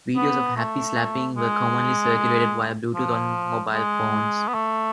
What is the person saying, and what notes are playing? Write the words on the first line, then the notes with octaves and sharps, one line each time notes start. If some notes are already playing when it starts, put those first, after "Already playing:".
Videos of Happy Slapping were commonly circulated via Bluetooth on mobile phones.
B3
A3
G#3
F3
G#3
B3
A3